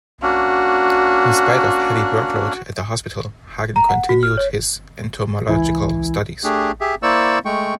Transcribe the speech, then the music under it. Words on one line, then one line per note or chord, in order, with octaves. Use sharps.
In spite of the heavy workload at the hospital, Hagen continued his entomological studies.
A#3 C#4 D4 F#4
A#5
F#5
F#4
F6
C#5
C#2 E3 E4 G#5
A3 D4 G4 G#4
G4 G#4 E5
A#3 E4 C5 D5 C#6 E6
G#3 A3 G5 C#6